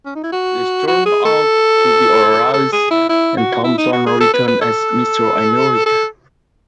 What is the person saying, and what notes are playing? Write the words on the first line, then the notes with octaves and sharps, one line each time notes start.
This turned out to be a ruse, and Thompson returned as Mister America.
C#4
D#4
E4
F#4
F#4
G#4
A4
A4
G#4
E4
E4
F#4
E4
D#4
F#4
G#4
A4
B4
B4
A4
A4